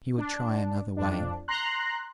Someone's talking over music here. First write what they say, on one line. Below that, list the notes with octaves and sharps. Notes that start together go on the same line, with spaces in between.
He would try another way.
D4
F2 D4
A#5 C6 F#6